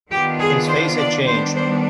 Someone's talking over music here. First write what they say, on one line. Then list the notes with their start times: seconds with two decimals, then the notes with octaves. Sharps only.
His face had changed.
0.11 D#3 B3 D4 F4 G4
0.40 G#4
0.68 C5
0.97 D5
1.25 D#3 G3 B3 D4 C5
1.54 C5